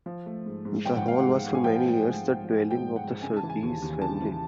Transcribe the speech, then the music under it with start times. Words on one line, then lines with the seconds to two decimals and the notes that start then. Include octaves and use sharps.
The Hall was for many years the dwelling of the Surtees family.
0.06 F3
0.26 A3
0.46 G#2
0.65 G#2
0.85 F3 G5
0.97 F#5
1.05 A3 F5
1.20 F#5
1.25 G#2
1.44 G#2
1.55 G#5
1.64 F3 G5
1.84 A3
2.03 G#2
2.24 G#2
2.44 F3
2.63 A3
2.71 G5
2.83 G#2
2.96 F#5
3.04 G#2
3.23 C#3 G#5
3.37 A5
3.43 E3
3.50 G#5
3.63 D#2
3.82 D#2
4.01 C#3 A5
4.21 E3